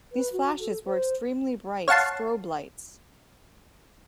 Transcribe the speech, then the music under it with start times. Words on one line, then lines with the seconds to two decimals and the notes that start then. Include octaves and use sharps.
These flashes were extremely bright strobe lights.
0.12 B4
0.32 F#4
0.60 A4
0.86 C5
1.88 C#5 F5 F#5 A5 C6